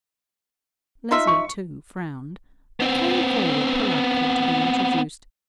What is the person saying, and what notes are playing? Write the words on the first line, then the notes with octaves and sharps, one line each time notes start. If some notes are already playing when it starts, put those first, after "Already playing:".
Leslie, too, frowned, but came forward politely to be introduced.
D#4 F4 E5
C#6
B3 C4